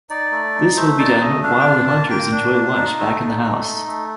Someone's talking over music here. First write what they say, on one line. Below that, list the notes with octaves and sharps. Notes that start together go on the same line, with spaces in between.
This will be done while the hunters enjoy lunch back in the house.
D#4 D5
A3
D#4
A3 C5
D#4 D5
A3 D#5
D4 F5
G5
F4 F5
A#3 A5
A#3 G5
D4
F4
D#4
A3
D#4
A3
D#4
A3